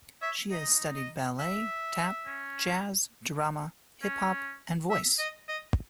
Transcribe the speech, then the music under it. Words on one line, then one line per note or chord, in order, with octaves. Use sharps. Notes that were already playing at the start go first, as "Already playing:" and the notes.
She has studied ballet, tap, jazz, drama, hip-hop, and voice.
C#5 E5
D#4 D#5
D#5
E5
C#4
C#4
E5
D#5
D#5